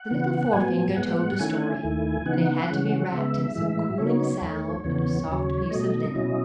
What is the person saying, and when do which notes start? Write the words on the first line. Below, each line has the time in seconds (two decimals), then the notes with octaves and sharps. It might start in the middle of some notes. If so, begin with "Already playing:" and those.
The little forefinger told the story, and it had to be wrapped in some cooling salve and a soft piece of linen.
Already playing: F#5
0.10 C#3 E3 B3
0.53 A2 F#3 B3 G#5
0.96 A2 G#3 B3 F#5
1.39 D#3 A3 C#4 E4 G#5
1.50 F#5
1.59 G#5
1.83 D#2 D#3 A3 E4
2.26 C#3 E3 B3 D#4 F#5
2.69 C#3 E3 G#3 C#4
3.12 C#3 G#3 B3 E5
3.55 A2 E3 G#3
3.98 C#3 F#3 B3 D#4 C#5
4.41 E2 D#3 A3
4.84 E2 C#3 E3 B3 C#5
5.28 D#2 C#3 F#3
5.70 B2 F#3 A3 D#5
6.14 B2 F#3 C#4 E4